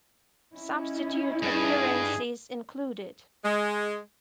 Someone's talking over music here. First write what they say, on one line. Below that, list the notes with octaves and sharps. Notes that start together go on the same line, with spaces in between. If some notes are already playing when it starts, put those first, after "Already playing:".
Substitute appearances included.
C#4 D#4 E4
G2 G#4
G#3